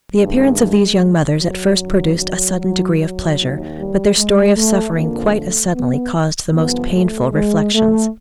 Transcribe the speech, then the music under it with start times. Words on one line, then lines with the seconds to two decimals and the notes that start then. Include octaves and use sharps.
The appearance of these young mothers at first produced a sudden degree of pleasure, but their story of suffering quite as suddenly caused the most painful reflections.
0.21 G2 D#3 G#3
1.39 F#3
1.79 F#2 D#3
2.18 F#3
2.58 F#3
2.97 F#3
3.38 D#2 D#3
3.77 G3
4.16 G#3
4.55 A3
4.95 F2 D3 F3 A#3
5.34 A3
5.74 B3
6.53 G2 D3 F3 B3
6.93 A3
7.33 G#3
7.72 A3